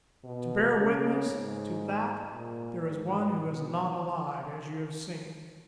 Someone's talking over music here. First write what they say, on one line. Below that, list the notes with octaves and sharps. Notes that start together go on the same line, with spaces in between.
To bear witness to that there is one who is not alive, as you have seen.
B2
C#3
G#2
A#2
G#2
B2